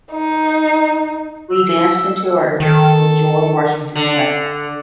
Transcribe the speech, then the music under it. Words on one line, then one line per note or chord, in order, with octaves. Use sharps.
Lee danced and toured with George Washington Smith.
D#4
E6
D#3 A4
D3